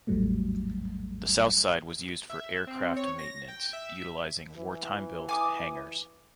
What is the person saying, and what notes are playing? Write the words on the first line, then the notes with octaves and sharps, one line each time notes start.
The southside was used for aircraft maintenance, utilising wartime-built hangars.
A1 E2 G#2 F#3 G3 A3
E5
C4
C#5
A#6
G5
E5
E3
G#5 D6 D#6